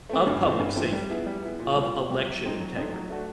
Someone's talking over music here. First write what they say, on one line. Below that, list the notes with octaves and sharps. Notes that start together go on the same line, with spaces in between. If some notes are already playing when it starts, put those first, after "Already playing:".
of public safety, of election integrity,
A3 C4
G2
E3 A3 C4
G2
E3 A3 C4
G3
B3 E4 G#4
G3
B3 E4 G#4
A#2
G3 C4 F4
A#2
G3 C4 F4
F#3
A3 C4 D#4
F#3
A3 C4 D#4
F#3
A3 D4 F#4